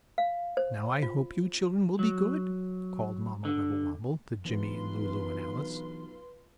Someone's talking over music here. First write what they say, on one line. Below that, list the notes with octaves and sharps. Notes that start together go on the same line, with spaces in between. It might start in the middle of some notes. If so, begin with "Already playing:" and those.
"Now, I hope you children will be good," called Mamma Wibblewobble to Jimmie and Lulu and Alice.
F5
C5
F4
F#3
D3
B1 E3 C4 D4 F4 B4 C6